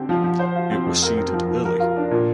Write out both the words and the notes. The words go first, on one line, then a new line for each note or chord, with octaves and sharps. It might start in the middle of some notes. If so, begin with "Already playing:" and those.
It was seeded early.
Already playing: D3 C4 G4
F3
F3
C5
F4
C4
F2
A#4
C4
F3
F3
A#4
F4
D4
A#2